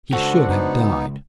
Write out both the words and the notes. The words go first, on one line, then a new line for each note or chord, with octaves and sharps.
He should have died.
C#2 D4 F#4 A4 C5 F#5
B3 D#4